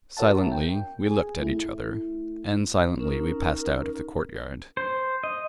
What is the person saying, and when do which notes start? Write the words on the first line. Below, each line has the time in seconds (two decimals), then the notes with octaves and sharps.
Silently we looked at each other, and silently we passed out of the courtyard.
0.17 F#4 A#4 C#5 E5 F#5 A5
0.52 G5
1.07 G#4 G#5
1.39 A3 E4
2.99 C#4 D#4 A#4
4.77 C5
5.24 D#5